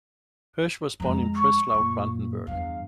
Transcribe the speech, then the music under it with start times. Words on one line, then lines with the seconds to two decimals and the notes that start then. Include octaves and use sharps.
Hirsch was born in Prenzlau, Brandenburg.
1.00 F2 G#3 A#5
1.35 C#6
1.71 F#2 A#2
2.47 E2 G2 F5